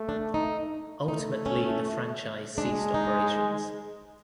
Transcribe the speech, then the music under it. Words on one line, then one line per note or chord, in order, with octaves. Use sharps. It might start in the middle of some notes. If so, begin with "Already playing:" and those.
Ultimately the franchise ceased operations.
Already playing: A3
D4
D#4
A3 D#4
C#4
G#3 D4
D#4